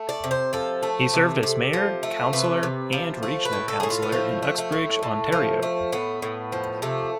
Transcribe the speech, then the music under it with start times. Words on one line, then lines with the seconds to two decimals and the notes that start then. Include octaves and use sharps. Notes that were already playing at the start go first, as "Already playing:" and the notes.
He served as mayor, councillor and regional councillor in Uxbridge, Ontario.
Already playing: A3
0.09 D5
0.24 C3
0.31 C5
0.53 F3 A4
0.83 A3
1.13 C3
1.43 C3
1.73 F3
2.03 A3
2.33 C3 B4
2.63 C3
2.93 F3
3.23 A3 C5
3.45 B4
3.53 A2
3.68 A4
3.80 A2 G#4
3.90 F4
4.02 B3
4.12 F3 A3
4.42 A3
4.58 A3
4.72 A2
5.03 A2
5.32 F3
5.63 A3
5.92 A2 B3
6.22 A2
6.52 F3
6.82 C3 A3